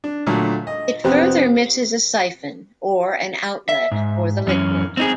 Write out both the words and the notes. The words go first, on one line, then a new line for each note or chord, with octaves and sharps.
It further misses a siphon or an outlet for the liquid.
D4
A#2 D3 F#3 A3
D#5
F2 C3 B3 C4 G4 F#6
E5
G#2
F#2 E3 C#4
C4 D#4 G#4